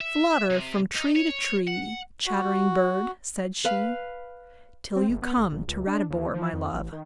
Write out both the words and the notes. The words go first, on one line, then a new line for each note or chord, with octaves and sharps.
'Flutter from tree to tree, chattering bird,' said she, 'till you come to Ratibor, my love.
E5
C3
D#4
C#5
F#5
F#4
B4 F5 B5
C4
F#1
B3
G#1
A#1
C#2
D4
D#2
F3
F2
A1
D#3